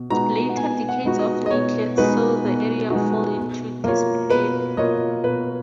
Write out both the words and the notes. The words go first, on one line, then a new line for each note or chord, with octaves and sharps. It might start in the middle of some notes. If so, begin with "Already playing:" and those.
Later decades of neglect saw the area fall into disrepair.
Already playing: B2
G#3 B3 D#4 F#4 A#5
F#5
B2 G#5
F#5
G#3 B3 D#4 F#4
D#5
D#5
B2 C#5
G#3 B3 D#4 F#4 B4
B2
G#3 B3 D#4 F#4
B2
A#3 F4 A#4 C#5
B2 B4
A#3 F4 A#4 C#5 D#5
B2 B4